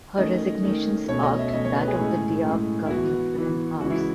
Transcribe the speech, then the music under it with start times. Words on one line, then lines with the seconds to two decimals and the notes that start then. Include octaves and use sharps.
Her resignation sparked that of the Diab government within hours.
0.18 D#3 A3 C#4 D#5
0.63 D#3 A3 C#4
1.09 B2 A3 C#4 C#5
1.23 D#5
1.38 E5
1.49 E5
1.53 B2 A3 C#4 D#5
1.65 C#5
1.76 B4
1.88 G#4
1.99 A2 G#3 C#4
2.45 A2 G#3 C#4
2.86 E4
2.90 E3 B3 F#4
3.35 E3 B3
3.81 C#3 E3 G#3 C#4 F#4
3.90 E4